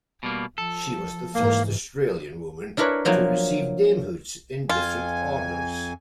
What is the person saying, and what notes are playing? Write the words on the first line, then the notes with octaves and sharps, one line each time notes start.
She was the first Australian woman to receive damehoods in different orders.
B2 G3 A#3
F3 A4
G#2 E3 A#3
D4 E4 A#4 B4 C#5
F3 F#3 A#3 E4
F2 F4 G#5